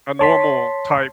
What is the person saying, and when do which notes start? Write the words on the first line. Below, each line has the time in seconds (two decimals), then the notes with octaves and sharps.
a normal type,
0.19 C#5 A5 C6 B6